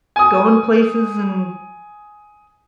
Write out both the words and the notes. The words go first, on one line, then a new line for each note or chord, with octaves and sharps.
going places and,
G#5 D#6